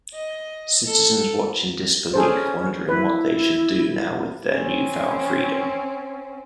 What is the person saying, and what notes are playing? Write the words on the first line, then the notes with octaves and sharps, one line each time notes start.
Citizens watch in disbelief, wondering what they should do now with their new-found freedom.
D#5
A4
C#4 G#4 A4 C5
E4 B4
C4 C#4